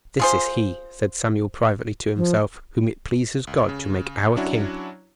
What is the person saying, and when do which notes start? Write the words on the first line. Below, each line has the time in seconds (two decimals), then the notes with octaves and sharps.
This is he, said Samuel privately to himself, whom it pleases God to make our king.
0.20 F4 G#4 C5
2.16 F3
3.47 C#2
3.69 C#3
4.36 F#3 C#4 D4 E4 F#4 C#5